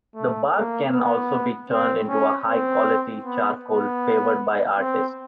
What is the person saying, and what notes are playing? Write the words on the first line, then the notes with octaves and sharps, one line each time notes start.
The bark can also be turned into a high quality charcoal favoured by artists.
A3
A#3
B3
C4
C#4
C4
B3
B3
C4